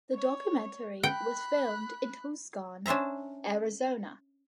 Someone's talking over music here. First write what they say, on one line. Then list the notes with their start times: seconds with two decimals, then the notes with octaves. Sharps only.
The documentary was filmed in Tucson, Arizona.
0.14 C#5
1.03 G5 B5 F#6
2.86 C#4 D4 C5 E5 A#5